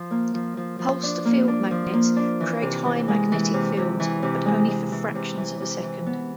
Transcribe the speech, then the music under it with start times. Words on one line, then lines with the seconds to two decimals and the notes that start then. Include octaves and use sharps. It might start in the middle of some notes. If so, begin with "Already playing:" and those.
Pulsed field magnets create high magnetic fields, but only for fractions of a second.
Already playing: F3
0.11 A#3
0.34 F3
0.57 F3
0.79 F3
1.03 D4
1.25 A#3
1.48 D4
1.71 F3
1.94 A#3
2.16 D4
2.40 E3
2.62 C3
2.85 E3
3.08 G#3
3.32 E3
3.54 C3
3.77 C3
4.00 E3
4.22 C3
4.46 G#3
4.68 G#3
4.92 E3
5.15 C3
5.38 E3
5.60 C3
5.83 E3
6.06 B3